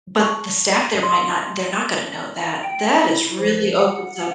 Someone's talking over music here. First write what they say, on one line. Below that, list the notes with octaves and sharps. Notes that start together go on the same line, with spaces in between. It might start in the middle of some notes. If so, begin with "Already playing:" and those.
But the staff there might not they're not gonna know that. That is really opens up
A5 C#6
D#5 C6
G5
E4
F3
F#5